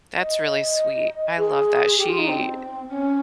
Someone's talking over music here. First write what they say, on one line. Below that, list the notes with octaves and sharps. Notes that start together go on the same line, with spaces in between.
That's really sweet. I love that. She
D#5
G#4
G4
F4
D#4
C4
C#4